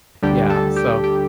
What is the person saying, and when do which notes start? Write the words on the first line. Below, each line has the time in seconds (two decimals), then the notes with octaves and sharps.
Yeah. So,
0.23 D2 D3 G3 D4 G4
0.50 A4
0.76 G4
1.04 G4